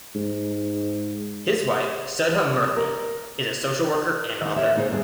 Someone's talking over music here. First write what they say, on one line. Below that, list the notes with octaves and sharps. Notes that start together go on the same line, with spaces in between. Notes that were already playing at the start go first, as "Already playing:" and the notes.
His wife, Sudha Murthy, is a social worker and author.
G#2
A#4
D#3 D#4
A#4 C#5 E5
D3 A#3 D#4 G#4 C5
D2 G2 D4 G#4